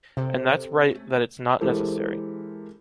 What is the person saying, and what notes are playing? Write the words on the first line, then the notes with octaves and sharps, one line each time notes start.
And that’s right that it’s not necessary.
C3 A4 C5 D5
A3 C#4
E3 G#3 G4 A4 A#4 C5